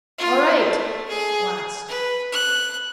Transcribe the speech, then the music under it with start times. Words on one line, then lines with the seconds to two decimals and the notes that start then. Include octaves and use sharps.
"All right!" at last.
0.18 F4
0.59 A3
1.09 G#4
1.88 B4
2.32 F#6